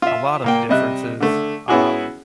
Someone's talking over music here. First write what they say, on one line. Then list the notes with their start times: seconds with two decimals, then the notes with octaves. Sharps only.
a lot of differences, um,
0.02 F4 E5
0.44 A#2 A#3 G5
0.69 C3 G3 D#5 E5 F#6
1.20 D3 A3
1.68 B3 C#4 E4 F#4 G#4